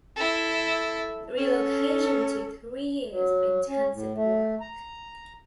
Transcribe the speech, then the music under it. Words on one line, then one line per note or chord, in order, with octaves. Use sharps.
The relocation took three years of intensive work.
E4 A4
C#4 A4
F#3
C#4
A2
A3
A#5